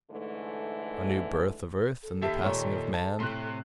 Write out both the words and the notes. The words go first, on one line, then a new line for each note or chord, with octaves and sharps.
A new birth of Earth and the passing of man?
G#2 D3 E3 A3
A4
D#2 G4 E5 A5
A#2 C#5
A5
A2 C3 C6 F#6